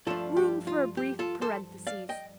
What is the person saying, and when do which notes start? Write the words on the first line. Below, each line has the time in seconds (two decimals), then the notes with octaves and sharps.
Room for a brief parenthesis.
0.07 G2 F3 A3 D4 F4 A4
0.37 G4
0.67 F4
0.97 G4
1.19 F4 A4
1.41 A4 C5
1.87 D5 F5
2.09 D#5 G5